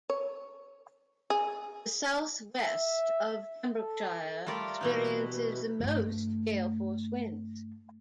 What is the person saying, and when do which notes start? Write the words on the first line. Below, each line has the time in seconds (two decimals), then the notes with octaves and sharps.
The southwest of Pembrokeshire experiences the most gale-force winds.
0.10 C#5
1.30 G#4
2.63 E5
3.79 A4
4.46 G3 A3 F4 A#4 D5
4.81 B2 E3 D#4
5.80 G2 A3